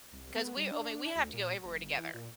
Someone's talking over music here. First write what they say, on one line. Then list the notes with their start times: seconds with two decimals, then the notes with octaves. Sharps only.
'cause we're I mean, we have to go everywhere together,
0.13 C2
0.35 B3
0.57 G3
0.71 D4
1.16 D2
1.33 A#2
1.65 F#1
1.80 G1
1.98 E3
2.14 A#2